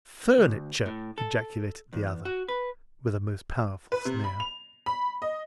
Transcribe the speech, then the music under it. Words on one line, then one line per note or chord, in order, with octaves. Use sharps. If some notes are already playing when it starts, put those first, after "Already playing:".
"Furniture!" ejaculated the other, with a most powerful sneer.
D2
A2
A4
E2
F#4
B4
B4
C3
B5
F7
B5
D#5